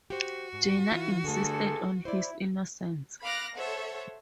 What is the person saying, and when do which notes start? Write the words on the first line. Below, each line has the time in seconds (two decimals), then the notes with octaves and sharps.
Janner insisted on his innocence.
0.10 F#4 G4 C5
0.53 G#2
0.92 E3 E4 F4
1.24 G2 D3 A3 G#4 A4
2.05 E4 C5 D5
3.22 F5 B5 D6 F6 F#6 A#6
3.57 A4 C5 C#5 E5 F#5